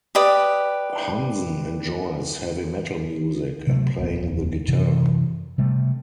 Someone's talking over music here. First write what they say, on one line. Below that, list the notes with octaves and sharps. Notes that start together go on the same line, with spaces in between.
Hansen enjoys heavy metal music and playing the guitar.
G4 B4 D5 D#6
C3 F#3 A3
D#1 F2 B3
F#2 C3 E3
C3 G3 A3